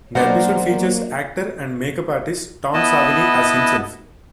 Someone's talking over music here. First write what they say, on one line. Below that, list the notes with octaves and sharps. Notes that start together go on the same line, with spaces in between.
The episode features actor and makeup artist Tom Savini as himself.
B2 F#3 A#3 D4 A#4 C5 D5 F#5
B3 E4 D#5 A5